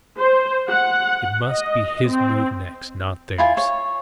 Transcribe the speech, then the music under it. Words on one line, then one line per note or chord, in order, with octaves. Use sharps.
It must be his move next--not theirs!
C5
F#5
D#5
C4
E4 F4 G#5
C#5